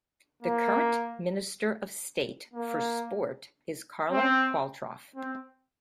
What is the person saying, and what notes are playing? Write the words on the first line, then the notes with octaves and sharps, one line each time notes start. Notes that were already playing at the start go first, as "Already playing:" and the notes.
The current Minister of State for Sport is Carla Qualtrough.
A#3
A#3
C4
C4